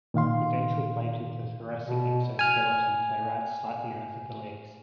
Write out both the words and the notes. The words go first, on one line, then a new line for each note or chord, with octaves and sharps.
The ventral plate of the thoracic exoskeleton flare out slightly over the legs.
A#2 D#3 F5 C6
B2
G#5 F6